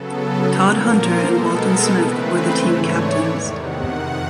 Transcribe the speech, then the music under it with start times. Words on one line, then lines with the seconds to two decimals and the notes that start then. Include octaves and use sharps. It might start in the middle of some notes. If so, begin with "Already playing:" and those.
Todd Hunter and Walton Smith were the team captains.
Already playing: C#3 F#3 B3 A4
0.19 A4
0.53 A#2 F3 A#3 A#4
0.88 C5
1.20 B2 G#3 B3 A4
1.54 A#4
1.88 C#3 E3 A3 C4 B4
2.21 C5
2.55 G#2 E3 A3 C#5
2.89 D5
3.23 E2 C3 D#3
3.56 F#5
3.89 F2 C3 D#3